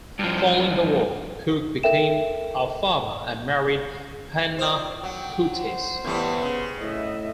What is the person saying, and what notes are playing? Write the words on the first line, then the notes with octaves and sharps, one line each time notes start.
Following the war, Cook became a farmer and married Hannah Curtis.
G2 F3
A4 A#4 E5 G5 E7
F4 C5 D5
F#3 G5
C5
A2 E3 G3 B3
C#3
A2 D#5 E5